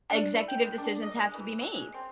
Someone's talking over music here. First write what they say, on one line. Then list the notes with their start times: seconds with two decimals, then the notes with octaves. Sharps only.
executive decisions have to be made,
0.10 D4
0.34 E4
0.48 G5
0.63 G#3
0.78 D4
1.03 D#5
1.16 G#3
1.34 E3
1.58 F#3
1.74 G#3
1.94 C4